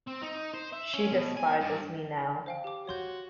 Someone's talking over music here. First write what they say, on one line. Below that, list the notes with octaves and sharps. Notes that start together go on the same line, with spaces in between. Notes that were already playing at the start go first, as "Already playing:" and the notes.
She despises me now.
C4
D#4
C5
E5
C#4
B2
G#5
G2
C5 F5 G5
G4 D6
F#4 C#5 C6 G6